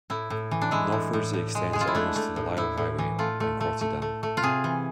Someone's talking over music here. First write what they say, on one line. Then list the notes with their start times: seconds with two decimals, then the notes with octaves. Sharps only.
Northwards it extends almost to the Lyell Highway and Crotty Dam.
0.10 A2 E4
0.30 A2
0.51 E3
0.61 D4
0.71 G#3 E4
0.92 A2
1.13 A2
1.33 A2
1.55 G#3
1.73 G#3 G#4
1.81 F4
1.87 E4
1.95 A3 D4
2.16 A3
2.36 A2
2.57 A2 E4
2.77 A2
2.98 E3
3.19 A3 F4
3.40 A3
3.61 A3
3.81 A3
4.02 A3
4.23 A3
4.37 F4
4.43 C3 G#4
4.64 E3